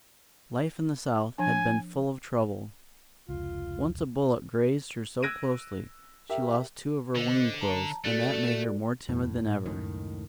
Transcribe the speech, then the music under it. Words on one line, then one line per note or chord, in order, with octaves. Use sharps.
Life in the South had been full of trouble. Once a bullet grazed her so closely she lost two of her wing quills, and that made her more timid than ever.
F3 D4 G#5
F1 C#2 F4
E6 F#6 G#6 A#6 D7 D#7
G4 A#4 E5
D3 C5 D#5
A5 A#5
A3 F#4 A4 D5
D#1 F2 A2
A2
C#2 F#2 A2 D#3